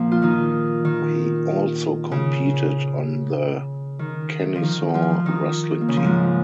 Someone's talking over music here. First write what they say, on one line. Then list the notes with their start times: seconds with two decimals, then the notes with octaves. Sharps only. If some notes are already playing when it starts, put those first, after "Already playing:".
He also competed on the Kennesaw wrestling team.
Already playing: A#2 F3 A#3
0.12 F4
0.22 D#3 D#4
0.85 D#3
2.11 C#3
3.99 D#3
4.56 F3
4.63 D#3
4.94 F3 F4
5.26 D#3 D#4
5.81 A#3
5.88 C#3 C#4
5.97 F3
6.04 G#2 G#3